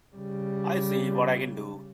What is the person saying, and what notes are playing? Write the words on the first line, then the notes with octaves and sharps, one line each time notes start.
I'll see what I can do.
C#3 G3